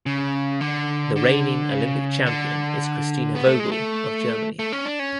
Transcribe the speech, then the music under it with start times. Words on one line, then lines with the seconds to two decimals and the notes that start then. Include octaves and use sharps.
The reigning Olympic champion is Kristina Vogel of Germany.
0.06 C#3
0.61 D3
1.16 D3
1.71 C#3
2.26 D3
3.35 B3
3.47 A3
3.60 G#3
3.72 A3
4.59 A3
4.72 C#4
4.85 D4
4.99 C#4